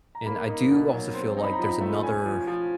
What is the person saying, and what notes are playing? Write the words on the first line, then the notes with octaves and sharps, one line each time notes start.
and, I do also feel like there's another
A#5
A#3 B5
D#4
B2
F#3
C4 C6
D#4
B5
A#5
F3 B5
A#5
A3
C#4 G#5
F3
F3